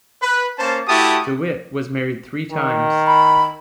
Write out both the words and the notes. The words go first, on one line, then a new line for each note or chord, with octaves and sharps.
De Witt was married three times.
B4
A#3 C#4 C5 A5
A3 E4 F#4 G4 A5 D#6
D#3
B5